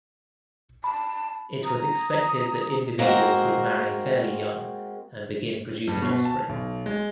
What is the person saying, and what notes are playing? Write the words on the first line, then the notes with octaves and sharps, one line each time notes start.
It was expected that individuals would marry fairly young and begin producing offspring.
A5 B5
A#5 D#6
G#3 A#3 C4 F#4 A#4
G2
B2
A5
B1
G#3